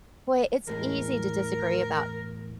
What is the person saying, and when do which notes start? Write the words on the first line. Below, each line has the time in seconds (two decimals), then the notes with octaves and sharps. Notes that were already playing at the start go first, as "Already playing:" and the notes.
boy, it's easy to disagree about
0.67 E2 A2 G#3 A#4